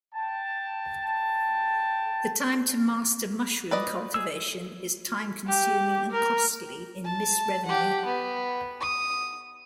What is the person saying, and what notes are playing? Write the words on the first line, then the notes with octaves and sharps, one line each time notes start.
The time to master mushroom cultivation is time consuming and costly in missed revenue.
G5 A5
B4 D5 D#5
G#4 E6
G4
A#4
A5
G4 F#5
B3
D#6